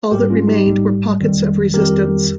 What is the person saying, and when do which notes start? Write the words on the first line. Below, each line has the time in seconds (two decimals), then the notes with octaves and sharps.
All that remained were pockets of resistance.
0.11 G#1 G#2 G3 G4 A#4
0.30 C#4 F4
0.47 D#4 G4
0.66 A#1 G#2 G3
1.20 G1 F2 D#3 G3
1.74 F2 D#3 G3 G4 A#4